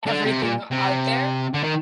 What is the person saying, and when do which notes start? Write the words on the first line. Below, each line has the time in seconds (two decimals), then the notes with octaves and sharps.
everything out there.
0.06 D3
0.25 C3
0.43 A#2
0.71 C3
1.54 D3
1.64 D#3